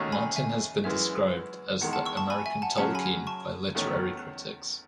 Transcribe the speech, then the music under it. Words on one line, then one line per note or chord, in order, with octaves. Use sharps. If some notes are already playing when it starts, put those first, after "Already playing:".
Martin has been described as "the American Tolkien" by literary critics.
Already playing: D#2 D#3 A3 C#4 F#4
G#5 B5
E5 G#5
F#2 E3 G#3 E5
E2 D#3 G#3 F#5
F#5 A5
C#6 E6
A5 C#6
G#5 B5
E5 G#5
F#5 A5
F#2 C#3 F#3 F#5 A5
G#5 B5
A5 C#6
E2 D#3 A3 C#4